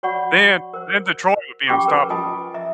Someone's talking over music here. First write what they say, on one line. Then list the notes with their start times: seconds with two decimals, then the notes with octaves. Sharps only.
then then Detroit would be unstoppable.
0.03 F#4 C#5 D5 F#5 B5 C#6
0.74 A#4 C5
1.68 C#4 G4 G5 B5 C#6 D6
1.88 A#4 B4 G#5
2.10 F4 D#5 G#5 A5 B5 D#6
2.54 D#5 E5 A#5